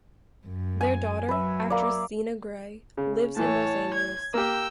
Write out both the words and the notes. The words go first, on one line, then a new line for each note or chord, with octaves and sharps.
Their daughter, actress Zena Grey, lives in Los Angeles.
F#2
G#5
F#3 B4 E5
A#3 D5
C#3
A2 E3 C#5 A5
G#6
A#3 G4 G5 E6